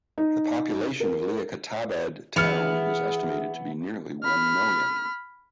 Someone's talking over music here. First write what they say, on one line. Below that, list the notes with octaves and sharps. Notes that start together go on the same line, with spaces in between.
The population of Liaquatabad Town is estimated to be nearly one million.
D#4
A#4
E3 B3 E4 G#4 F6 C#7 F7
B5 F6